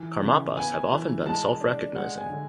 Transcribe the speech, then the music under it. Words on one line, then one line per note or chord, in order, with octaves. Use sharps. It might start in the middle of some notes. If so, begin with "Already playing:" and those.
Karmapas have often been self-recognizing.
Already playing: E3
C#3
B3 G#5
E3
G#3 A5
D4
G#3 F#5
G#5
D3